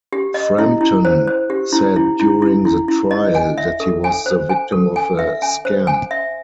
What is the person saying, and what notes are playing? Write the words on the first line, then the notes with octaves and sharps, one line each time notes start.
Frampton said during the trial that he was the victim of a scam.
G4
D#5
E4
E4
C5
C5
G4
E4
E4
E4
E4
E4
E4
D#5
G#5
E5
A4
G#5
C5
G#5
A4
G#5
E5
G#5
C5
G#5
E5